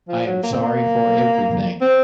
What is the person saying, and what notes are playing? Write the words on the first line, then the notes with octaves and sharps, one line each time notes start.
I am sorry for everything.
F3
F#3
A#3
C4
A#3
C4